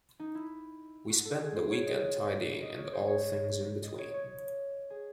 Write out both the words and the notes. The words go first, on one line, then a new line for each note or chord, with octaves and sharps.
We spent the weekend tidying and all things in-between.
D#4
E4
F#4
A4
G#4
C5
C#5
D#5
D#5
C#5
C5
C#5
D#5
C#5
C#5
G#4